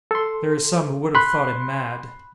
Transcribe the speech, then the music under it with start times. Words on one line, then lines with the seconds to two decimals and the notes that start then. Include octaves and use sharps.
There are some who would have thought him mad.
0.11 A4 C6
1.15 B5 C6 F#6